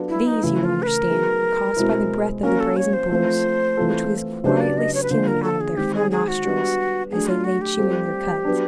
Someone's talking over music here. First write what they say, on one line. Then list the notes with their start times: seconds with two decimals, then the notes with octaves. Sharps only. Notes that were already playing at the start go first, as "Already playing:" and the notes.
These, you will understand, were caused by the breath of the brazen bulls, which was quietly stealing out of their four nostrils, as they lay chewing their cuds.
Already playing: F#3 B3 D4 F4 A4
0.09 E4
0.27 D#4
0.43 C#3 E3 A3 E4
0.65 F4
0.83 B4
0.87 A#4
1.10 F#3 B3 D#4 G#4
1.77 B2 G#3 C4 E4
2.43 F#3 A#3 C#4 A#4
2.60 A4
2.77 C#5
2.93 C5
3.10 F3 A3 C4
3.77 E3 A3 C4 F4 A4
4.44 C#3 F#3 B3 D4 G4 C5
4.60 D5
4.78 D#5
4.94 C#5
5.03 B4
5.11 D3 F3 A#3 C5
5.27 A#4
5.44 A4
5.61 G#4
5.77 D#3 G#3 C4 G4
5.95 G#4
6.11 G#4
6.28 F#4
6.45 G3 B3 D4 G4
7.11 F#3 A3 D4 G#4
7.28 F4
7.44 F#4
7.61 G4
7.78 G3 C4 F4 A4
8.45 F#3 B3 D4